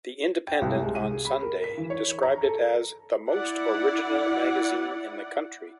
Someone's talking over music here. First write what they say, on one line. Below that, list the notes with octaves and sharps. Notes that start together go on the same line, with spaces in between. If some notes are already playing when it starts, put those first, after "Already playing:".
"The Independent on Sunday" described it as "The most original magazine in the country".
G5
C2
G#3
D#7
G#4
B5
A#4
B6
E3
C#5
A#5
A4
E4 D5 F#5